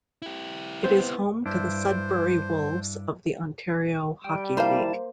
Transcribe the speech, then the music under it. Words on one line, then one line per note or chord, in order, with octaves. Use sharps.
It is home to the Sudbury Wolves of the Ontario Hockey League.
E4 G4
B3 C4 C5
G2 D4 E4 C5
G3 G5
A#3 E4 F4 C5 F5 A5